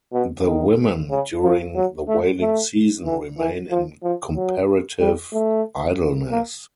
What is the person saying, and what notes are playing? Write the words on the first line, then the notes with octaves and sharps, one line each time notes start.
The women during the whaling season remain in comparative idleness.
B2
D#3
C#3
F3
F#3
A3
A3
E3
E3
F3
F3
F#3
G3
A3
A#3